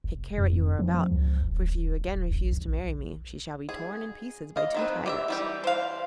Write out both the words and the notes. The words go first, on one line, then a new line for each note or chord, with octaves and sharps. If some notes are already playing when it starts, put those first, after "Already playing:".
Take care what you are about, for if you again refuse to marry me she shall be torn in pieces by two tigers.'
F1
F2
F3
C#2
D#1
D1
A1
A#1
G#4
D#5 F5
D#3 C4 B4
G4 D#5 E5
E3 G3 G4
C5 F5